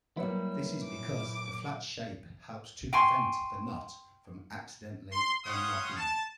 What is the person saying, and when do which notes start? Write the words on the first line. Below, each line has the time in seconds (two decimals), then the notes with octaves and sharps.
This is because the flat shape helps to prevent the knot from accidentally "unlocking".
0.17 F#3 G3 A#3 E4 B4 C#5
0.84 A#2 D6
2.93 G5 G#5 C6 C#6
5.12 C6
5.44 G3 C#5 F5 F#5 C6 D#6
5.97 A5